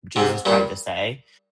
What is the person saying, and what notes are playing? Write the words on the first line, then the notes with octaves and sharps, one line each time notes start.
Jesus tried to say,
G#2 C3
G2 A#2